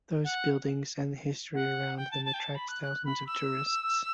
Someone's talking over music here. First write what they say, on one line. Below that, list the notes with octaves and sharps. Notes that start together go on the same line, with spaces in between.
Those buildings and the history around them attract thousands of tourists.
F#5
F#5
G5
A5
A5
G5
A5
B5
F#6
F#6
B5
E6